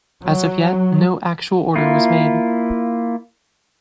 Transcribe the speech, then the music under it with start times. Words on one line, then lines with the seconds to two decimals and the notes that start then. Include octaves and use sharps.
As of yet no actual order was made.
0.25 F#3
1.76 A#3 E4 F4